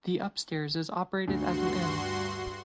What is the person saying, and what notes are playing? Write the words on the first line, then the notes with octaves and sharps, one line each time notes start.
The upstairs is operated as an inn.
D2 G2 F#4 C6